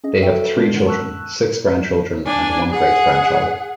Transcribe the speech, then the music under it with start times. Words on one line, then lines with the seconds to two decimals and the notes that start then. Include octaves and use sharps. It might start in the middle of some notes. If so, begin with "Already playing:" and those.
They have three children, six grandchildren, and one great grandchild.
0.04 C#4 G#4 D#5
0.22 F#4 A4 E5 G5
0.56 G#3 A#3 D4 F4
0.74 D#3 F#5 F#7
0.86 A5 C#6 E6 F#6
2.26 D4 G#5
2.70 G#4 F#5